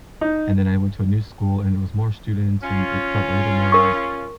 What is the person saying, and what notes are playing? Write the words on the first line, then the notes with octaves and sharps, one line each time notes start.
and then I went to a new school, and it was more students, and it felt a little more, like,
D#4
C#4 F4
A#4 C#6